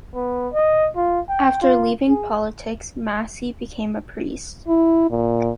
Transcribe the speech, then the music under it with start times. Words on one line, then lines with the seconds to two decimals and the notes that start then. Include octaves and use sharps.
After leaving politics, Massey became a priest.
0.14 B3
0.53 D#5
0.96 F4
1.29 G5
1.62 F4
2.08 G#4
4.68 E4
5.11 A#2